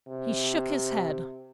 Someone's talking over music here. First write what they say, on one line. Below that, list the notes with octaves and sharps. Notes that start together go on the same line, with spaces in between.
He shook his head.
C3